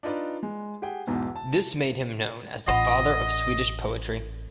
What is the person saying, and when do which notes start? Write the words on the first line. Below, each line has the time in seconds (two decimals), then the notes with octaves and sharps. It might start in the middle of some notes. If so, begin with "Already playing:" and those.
This made him known as "the father of Swedish poetry".
0.03 D4 D#4 F4 B4 D5
0.43 G#3
0.82 G4 G#4 F#5 G5
1.07 B1 E2 G#2 B2
1.36 A5
2.68 A1 F4 D#5 F#5 B5